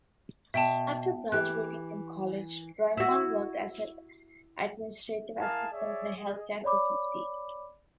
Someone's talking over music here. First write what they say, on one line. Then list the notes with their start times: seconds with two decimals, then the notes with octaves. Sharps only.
After graduating from college, Draiman worked as an administrative assistant in a healthcare facility.
0.54 B2 E5 G5 A5
1.32 E3 G4 F#6
2.97 E4 F#4
5.39 E4 G#4 A#4 F5 G#5 A5
5.72 G#4 C#5 D5 E5
6.16 G#4 D#5
6.64 C#5 D5 B5 D6